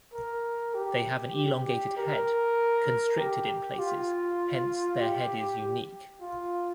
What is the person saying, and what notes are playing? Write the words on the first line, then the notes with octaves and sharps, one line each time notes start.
They have an elongated head, constricted in places, hence their head is 'unique'.
A#4
G4
G4
G4
A#4
G4
F4
G4
F4